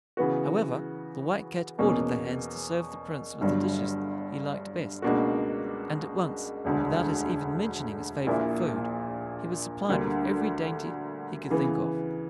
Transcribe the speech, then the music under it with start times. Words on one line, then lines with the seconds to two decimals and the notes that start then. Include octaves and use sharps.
However, the White Cat ordered the hands to serve the Prince with the dishes he liked best, and at once, without his even mentioning his favorite food, he was supplied with every dainty he could think of.
0.17 C#3 E3 B3 F#4
1.79 E2 B2 A#3 C#4
3.41 G1 G2 D3 F#3
5.02 C#2 B2 A#3 D4 F#4
6.65 E1 D2 D3
8.27 A#1 A#2 A#3 E4
9.88 D2 D3 G3 A#3 D4
11.50 C#3 E3 B3